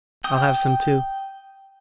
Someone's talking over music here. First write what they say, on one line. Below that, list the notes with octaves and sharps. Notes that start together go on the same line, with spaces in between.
I'll have some too!
G5 D#6